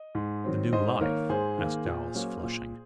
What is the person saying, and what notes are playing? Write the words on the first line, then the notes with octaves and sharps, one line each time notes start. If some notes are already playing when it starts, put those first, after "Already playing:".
"The new life?" asked Alice, flushing.
Already playing: D#5
G#2
D#3 F#3 C4
G#2 C5 D#5
D#3 A#3 A#4 C#5
G#2 G#4 C5
D#3 A#3
A#2
F#3 A#3 C#4
A#2